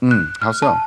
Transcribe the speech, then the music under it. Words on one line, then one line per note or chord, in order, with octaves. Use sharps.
Hmm, how so?
F#6
F6
A5